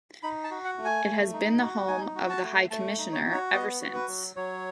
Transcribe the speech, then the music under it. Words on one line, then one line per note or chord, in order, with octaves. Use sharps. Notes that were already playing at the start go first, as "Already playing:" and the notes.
It has been the home of the High Commissioner ever since.
D#4 B5
A5
F#4
F#5
A3
G#5
A3
D#4
F#4
D#4 G#5
F#4
A5
A3
A3 A5
D#4
C#5
F#4
C#5
B3 D#5
F#4
B4
F#3
F#3 C#5